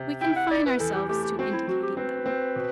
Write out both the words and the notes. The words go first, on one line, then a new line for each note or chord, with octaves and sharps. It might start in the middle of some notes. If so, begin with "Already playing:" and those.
We confine ourselves to indicating them.
Already playing: C3
E4 G5
F#5
E4 D5
B4
E2 A4
G4
A3 G4
G4
C4 F#4
E4
F#3 F#4
G4
C4 B4
C4
B2